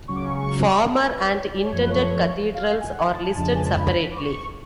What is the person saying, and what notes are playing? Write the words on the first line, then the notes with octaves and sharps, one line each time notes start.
Former and intended cathedrals are listed separately.
C#2 C#3 F#3 C#4 C#6
D6
C#6
C#6
C#6
A5
B4
C#5
D5
C#5
F#2 F3 A3 B4
C#5
F5
G#5
F#5
G#5
A5
G#5
F2 C#3 F3 G#3 D4 A5
G#5
A5
B5
D6
C#6